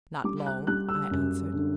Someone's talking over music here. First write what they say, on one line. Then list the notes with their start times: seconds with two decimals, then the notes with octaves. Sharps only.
"Not long," I answered.
0.24 G3 D6
0.46 F#6
0.67 G3 F#6
0.89 E6
1.11 F#2
1.54 D3